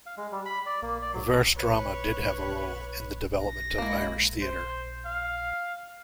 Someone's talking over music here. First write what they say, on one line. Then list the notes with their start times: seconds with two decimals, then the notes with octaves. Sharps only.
Verse drama did have a role in the development of Irish theatre.
0.06 F5
0.17 G#3
0.32 G3
0.46 B5
0.66 D5
0.82 A#3
1.02 D5
1.14 F#3
1.56 B4 C#5
3.44 A#6
3.78 G#3 A#3 E4
4.42 C5
5.06 F5